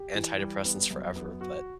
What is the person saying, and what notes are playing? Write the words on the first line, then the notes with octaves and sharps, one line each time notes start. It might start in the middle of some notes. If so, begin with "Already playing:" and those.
antidepressants forever, but,
Already playing: G4
E3
G3
B3
F#2
B3
F#4